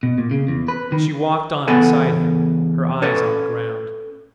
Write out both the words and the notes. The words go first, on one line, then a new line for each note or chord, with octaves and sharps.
She walked on beside him, her eyes on the ground.
B2
A#2
C#3
E2
B4
D#3
E2 C#3 B3 A4 F#5 G#5
C#4 A4 B4 C#5